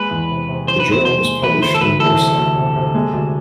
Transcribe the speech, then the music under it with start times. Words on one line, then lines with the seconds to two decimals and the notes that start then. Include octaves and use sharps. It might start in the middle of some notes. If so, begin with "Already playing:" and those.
The journal was published in Warsaw.
Already playing: G#3 B4
0.11 E2
0.31 C3
0.49 C3
0.68 E2 C5
0.80 B4
0.87 E2
0.92 C5
1.05 C3 C5
1.24 G#3
1.44 E3 B4
1.62 D2 C5
1.74 A4
1.81 D2 B4
2.00 E3 A4
2.18 C3
2.37 D2
2.57 C3
2.76 C3
2.95 G#3
3.13 D2